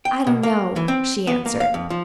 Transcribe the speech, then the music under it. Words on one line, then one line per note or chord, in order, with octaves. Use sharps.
"I don't know," she answered.
G5
B2
A#3
E3
C4
B3
A#3
F5
F2
F3